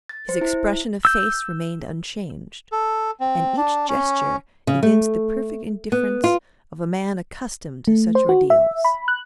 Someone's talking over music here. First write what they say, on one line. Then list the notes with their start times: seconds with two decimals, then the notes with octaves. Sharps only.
His expression of face remained unchanged, and each gesture evinced the perfect indifference of a man accustomed to such ordeals.
0.09 A6
0.29 C5
0.41 E4
1.05 E6 G6
2.72 A4
3.20 C4
3.57 D4
3.88 C#4
4.67 C#3
4.83 A3
5.92 B3
6.24 F4
7.88 A3
8.15 C5
8.29 F#4
8.50 E5
8.85 B5
9.08 F#6